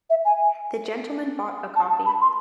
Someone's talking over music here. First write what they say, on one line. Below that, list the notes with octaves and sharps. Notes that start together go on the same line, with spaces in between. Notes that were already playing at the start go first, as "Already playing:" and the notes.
The gentleman bought a copy.
E5
G#5
A5
A5
B5
C6